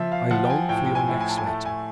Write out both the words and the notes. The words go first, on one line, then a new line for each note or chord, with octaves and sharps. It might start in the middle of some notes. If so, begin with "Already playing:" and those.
I long for your next letter.
Already playing: F3 E5
F5
F3 F#5
G5
G#5
A2 G5
G5
G#5
A2
G#5
A5
G#5
A3 A5
G#5